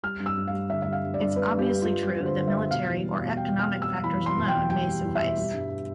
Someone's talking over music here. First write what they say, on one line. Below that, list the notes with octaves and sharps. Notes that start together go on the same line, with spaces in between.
It's obviously true that military or economic factors alone may suffice.
G3 F6
G2
E6
G2
F5
G3
D3 E5
G3 E5
F5
G2
D5
G2
G2 B4
G2
G4
G2
F4
G2
G3 G4
D3
C5
D3
E5
G3
B2 F5
E2
G3
B2
E2 G5
B2 F6
G3
E6
G3
E2 B5
E2
C6
B2
G5
E2
G3 G5
G3
E2
E5
B2
G3
G2